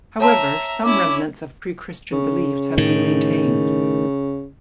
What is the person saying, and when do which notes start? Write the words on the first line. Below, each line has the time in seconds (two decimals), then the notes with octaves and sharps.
However, some remnants of pre-Christian beliefs have been maintained.
0.20 C#5 E5 A5 A#5 C6
0.84 C#4 E4 D6
2.12 C#3
2.77 A2 D#3